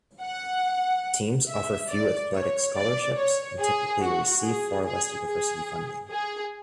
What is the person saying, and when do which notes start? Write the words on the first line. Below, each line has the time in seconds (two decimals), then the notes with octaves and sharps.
Teams offer few athletic scholarships and typically receive far less university funding.
0.21 F#5
1.47 E5
1.89 D5
2.32 C#5
2.74 D5
3.16 C#5
3.59 G#4
4.00 F#4
4.43 G#4
4.85 G#4
5.27 G#4
6.11 G#4